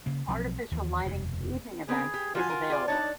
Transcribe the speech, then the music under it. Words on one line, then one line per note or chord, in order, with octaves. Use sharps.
Artificial lighting for evening events is available.
C#3 A#3
B1 F3 F#3 C4
D#2 E3 F3
F1 D#2 B2
B3 C4 G#4 A#4
G4
F3 F4 F#4 G#5
A#4 G#5
G#4 D5
D4 D#4 C#5 A5